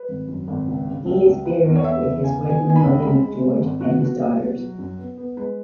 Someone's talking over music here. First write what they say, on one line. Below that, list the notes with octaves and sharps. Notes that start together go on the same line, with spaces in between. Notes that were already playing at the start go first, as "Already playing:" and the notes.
He is buried with his wife Emilia MacGeorge and his daughters.
Already playing: B4
G#1
F#2
G#1
C#2
C#3
C#2
C#2
E3 B4
E2
C#5
E2 E5
E2
C#3 G#5
B3
G#5
B3
G#5
B5
C#2
G#3 B5
G#3
G#3
G#1
B2 F#4
B2 F#4
B2
B2
F#3
F#2
B3
B3
G#3 B4